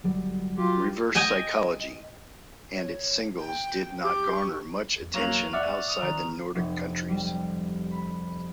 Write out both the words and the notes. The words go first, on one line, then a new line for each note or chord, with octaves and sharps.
"Reverse Psychology" and its singles did not garner much attention outside the Nordic countries.
G1 F#3 G3
F#3 F4 G4
D#5 G5 G#5
C#5
G5
G4 D6
C#6
E2
F#3 A#3 C#6 F7 F#7
D5 E5 F#5 F6
D#6 F7
D#3 A#5
F1
G3
B5